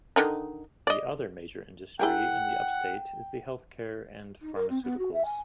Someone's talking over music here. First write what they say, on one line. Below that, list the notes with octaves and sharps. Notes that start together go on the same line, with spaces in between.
The other major industry in the Upstate is the healthcare and pharmaceuticals.
D3 D#3 D#4
D5 D#5
E4 G#4 A#4 F#5 G5
D#4
A#4
C4
B3
F#4
E5
G#5